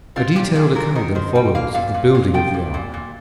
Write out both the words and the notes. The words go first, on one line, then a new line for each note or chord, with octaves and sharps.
A detailed account then follows of the building of the ark.
C4 F4
A#2 G4
A#2 G#4
A#2 A#4
D#3 A#4
D#3 C5
G3 G5
A#3 F5
A#2 F5
A#2
A#2 F5
F3 G5
A#2
A#2
A#2